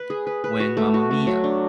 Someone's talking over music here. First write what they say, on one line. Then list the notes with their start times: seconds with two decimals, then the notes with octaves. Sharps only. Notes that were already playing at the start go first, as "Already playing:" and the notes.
When Mamma Mia!
Already playing: B4
0.10 G#4
0.27 B4
0.44 B4
0.60 F#4
0.77 A3
0.94 F#4
1.11 A3
1.27 F#3
1.44 D4